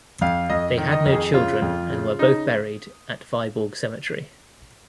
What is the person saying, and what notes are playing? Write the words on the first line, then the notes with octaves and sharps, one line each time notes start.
They had no children and were both buried at Viborg Cemetery.
F2 F5
F2 D#5
D#3
D#5
F2
G#4
C#3 F4
F2
C#3
C#3 D#4